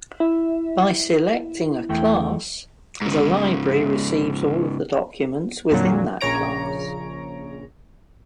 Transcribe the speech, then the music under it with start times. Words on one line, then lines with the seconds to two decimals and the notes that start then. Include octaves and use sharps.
By selecting a class, the library receives all of the documents within that class.
0.20 E4 E5
1.89 E2 A3 G5
3.02 G#2 C#3
5.70 F2 A#2 D3 F#3
6.21 A#1 C#3 C#5 A#5 D7